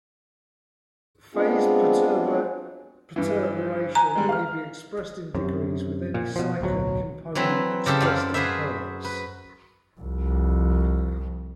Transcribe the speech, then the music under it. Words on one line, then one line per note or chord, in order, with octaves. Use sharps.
Phase perturbation may be expressed in degrees, with any cyclic component expressed in hertz.
G#3 B3 C4 D4 F4 G#4
G2 E3
G#5 A#5
G3 G#3
F5 F6
F#2 C3
A#2
B2 F3
D1 B1 B2 F#3
E3 F#3 C4 B4
C#3 G4 A4 C5
F#2 F4 D5
F#4 G#4 B4 C5 E5
B4
C2 F2